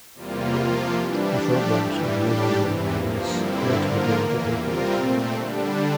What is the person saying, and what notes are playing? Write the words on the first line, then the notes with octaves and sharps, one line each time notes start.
A short branch of the Midland Railway once led to the village of Hayfield.
E2 C3 G3 A#3 F4
C3 F3 A#3 F4
E3 G3 D4
F3 A3 D4 G4
G2 E3 G3
A2 G3 D4 G4
E2 C3 E3
G2 F3 A#3
G2 D3 G3 C4 E4
D3 F3 A#3 F4 A#4
E2 E3 A#3
C3 G3 C4 F4 A#4
A#2 A3 C4
D3 G3 D4